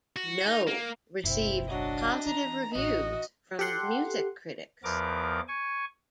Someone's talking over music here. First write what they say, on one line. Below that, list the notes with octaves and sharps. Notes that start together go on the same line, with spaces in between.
"No" received positive reviews from music critics.
F#4
D#4
A#3
F#1 B1 C4 E4
F#3 D4 D#5
E3 A#5
A1 F#4 D#5
G4 A4 F#5 C6
E2 F3 B3 A#4 D6
G#5 C#6